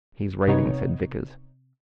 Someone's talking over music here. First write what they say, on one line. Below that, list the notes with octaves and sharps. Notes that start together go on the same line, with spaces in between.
"He's raving," said Vickers.
C3 B3 D#4 C#5